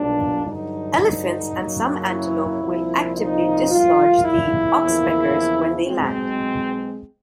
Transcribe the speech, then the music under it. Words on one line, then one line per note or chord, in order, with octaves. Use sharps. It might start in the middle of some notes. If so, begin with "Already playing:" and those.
Elephants and some antelope will actively dislodge the oxpeckers when they land.
Already playing: B1 A#2 G3 D4
G2 D3 F#3 D#4
F#2 C#3 F#3 A#3
E4
C2 A#2 F3
D#4
A#1 A#2 G3 F4
E4
E2 C#3 F3 A#3
B1 B2 G#3 C4